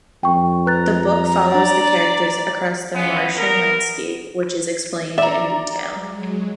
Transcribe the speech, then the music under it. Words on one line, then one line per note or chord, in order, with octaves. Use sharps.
The book follows the characters across the Martian landscape, which is explained in detail.
F2 G5 C#6
B4 A#5 F#6 A6
D4 D5 F#5
G#3 B3 C#4 F4
B3 A#4
D5 E5 A#5
F#3 G#3